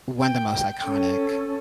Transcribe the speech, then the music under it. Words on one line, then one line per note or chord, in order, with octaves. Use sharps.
one of the most iconic,
G5
C#4 A4